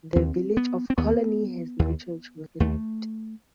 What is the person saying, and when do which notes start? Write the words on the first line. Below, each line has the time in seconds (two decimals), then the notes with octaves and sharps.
The village of Coolaney has no church within it.
0.16 D#2 C4
0.57 B3
0.90 C4
0.98 D#2 B3
1.79 D#2
2.60 D#2 A3